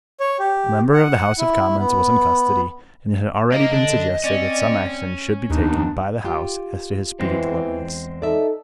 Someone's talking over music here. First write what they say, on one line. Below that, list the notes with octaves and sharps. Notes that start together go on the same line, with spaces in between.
A member of the House of Commons was in custody, and it had already been suggested that some action should be taken by the House as to his speedy deliverance.
C#5
G4
F#5
E4
B3
A#3 G4 A#4 D#5 F5
D3 D4
C4 C#4 D5
D#2 B3 D4 D#4
F4 G4
E2 E3 G#3 C4
D#4 A4 D5 E5